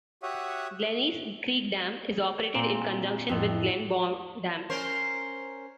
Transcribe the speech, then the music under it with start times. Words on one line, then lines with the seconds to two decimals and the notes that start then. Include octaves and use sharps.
Glennies Creek Dam is operated in conjunction with Glenbawn Dam.
0.23 F#4 G4 C#5 E5 F#5 D#6
2.55 A#2 C4 D4
3.29 F2 A2
4.70 C#4 A#4 C5